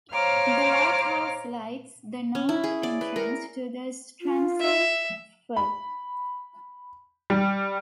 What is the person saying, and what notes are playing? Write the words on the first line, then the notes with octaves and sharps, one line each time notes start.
The lighthouse lights the north entrance to the Stronsay Firth.
C5 C#5 F5 A#5 D6 F6
C#4
E4
G#4
D5
B4
A#4
F4
E5
B5
G3